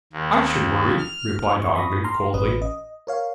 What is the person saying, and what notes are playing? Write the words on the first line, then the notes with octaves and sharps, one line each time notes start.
"I should worry!" replied Ogden coldly.
D#2
F6
C#6
B5 C#6 D#6 A#6
A#5 C6 F6
A1 C#4 B4 D#6
D#5
A#4 C#5 F5